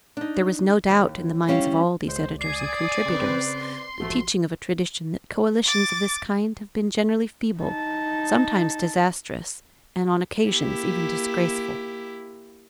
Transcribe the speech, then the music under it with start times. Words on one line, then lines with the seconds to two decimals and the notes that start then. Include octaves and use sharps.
There was no doubt, in the minds of all these editors and contributors, the teaching of a tradition that coalitions of this kind have been generally feeble, sometimes disastrous, and on occasions even disgraceful.
0.17 D4 D#4
0.89 D#2
1.48 G3 C#4 E4 F5
2.08 C#2 C5
2.41 D5 G#5 D#6 G#6 C7
3.06 C#3 C4 B4 C5
3.47 C6
4.00 A1 F3 A3 F#4
5.66 D6 A6
7.59 D#4 A5
10.47 A#3 E4 G4